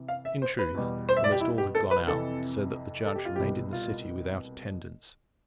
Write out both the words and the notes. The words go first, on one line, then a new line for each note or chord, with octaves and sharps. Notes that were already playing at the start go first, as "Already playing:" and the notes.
In truth, almost all had gone out, so that the judge remained in the city without attendance.
Already playing: C3 E3
F5
E5
C5
B4
E2 B2 G3
C5
E5
D5
G4
E4
G4
A4
B4
F2 C3 E3 A4
A4
G4
F4
C2 B2 G3 G4
F4